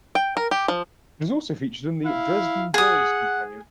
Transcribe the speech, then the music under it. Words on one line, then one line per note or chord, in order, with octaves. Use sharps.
It was also featured in "The Dresden Dolls Companion".
G5
A#4
G4
F3
E4 F5
G#4 F#5 D#6